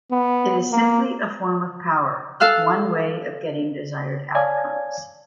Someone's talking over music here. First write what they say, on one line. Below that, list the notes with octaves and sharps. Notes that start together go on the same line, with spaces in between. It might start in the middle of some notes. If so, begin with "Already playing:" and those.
It is simply a form of power, one way of getting desired outcomes.
B3
A#3
A4 F5 F6 F#6
C#5 D5 F5 G#5 A5 G#6